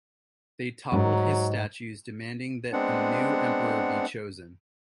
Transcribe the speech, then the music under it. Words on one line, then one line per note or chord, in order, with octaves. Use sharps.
They toppled his statues, demanding that a new emperor be chosen.
F2 G#2 F#3
G#3 B3 C4 D4 F#5